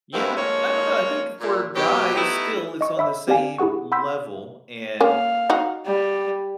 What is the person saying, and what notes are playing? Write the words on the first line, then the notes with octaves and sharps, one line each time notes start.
Yeah. I don't know, I think for guys, still, it's on the same level, and
G2 G#3 A#3 C4 E4 F#4
G2 F3 G#3 A#3 C#5
A#2
B2 F#3 G4
G3 A3 B3 D#4 E4
D#5 C#6
C#5 D#5 E5 B5 E6
C4 G4 D5 F5 G#5
E4 G4 G#4 F#5 C#6
F#5 B5 C6 E6 G6 B6
A#3 C#4 F5
D#4 F#4
G3